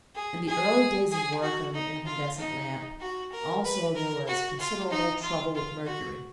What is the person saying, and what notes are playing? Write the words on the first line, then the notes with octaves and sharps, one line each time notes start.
In the early days of work on the incandescent lamp, also, there was considerable trouble with mercury.
G#4
G#4
G#4
F#4
D#4
F4
D#4
F#4
A#4
B4
A#4
F#4
F4
D#4
F4
F4
F#4